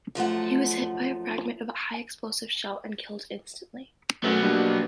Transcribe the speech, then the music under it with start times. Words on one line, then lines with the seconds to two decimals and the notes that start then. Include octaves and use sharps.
He was hit by a fragment of a High Explosive shell and killed instantly.
0.15 F#2 F3 A3 F#5
4.24 F#3 A3 B3 C#4 A#4
4.43 G3 A#3 D4